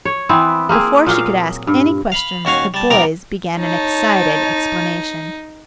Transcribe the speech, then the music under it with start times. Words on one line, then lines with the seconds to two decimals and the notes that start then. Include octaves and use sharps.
Before she could ask any questions, the boys began an excited explanation.
0.05 C#5
0.29 E3 B3 C4
0.69 A#3 C4 G#4
1.06 A#2 F#3 F5
1.67 G2
2.12 F5 B5
2.45 D#2 C#4 F#4 F5 G#5
2.74 G3 A5
2.90 D#2 G3 B3 A#4 A#5 D6
3.59 D#4 C#5 A5